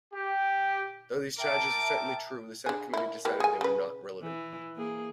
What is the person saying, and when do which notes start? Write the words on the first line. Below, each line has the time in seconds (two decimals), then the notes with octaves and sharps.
Though these charges were certainly true, the Senate Committee decided they were not relevant.
0.12 G4
1.38 A#4 E5 G5 A5 D6
2.66 D4 G#4
2.94 A#3 E4
3.25 E3 A#3 G4
3.40 G#4 G#5
3.61 C#3 B4
4.22 E3
4.77 A#3 G#4